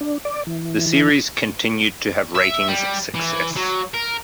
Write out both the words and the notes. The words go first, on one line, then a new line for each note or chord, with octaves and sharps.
The series continued to have ratings success.
D4
D5
E3
E3
E5
G3
E3
F#3
A#4